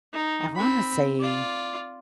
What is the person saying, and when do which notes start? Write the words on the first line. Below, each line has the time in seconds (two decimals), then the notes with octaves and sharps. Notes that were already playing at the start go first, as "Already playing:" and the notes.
I wanna say
0.13 D#4
0.55 C4 B5
1.20 F4 D5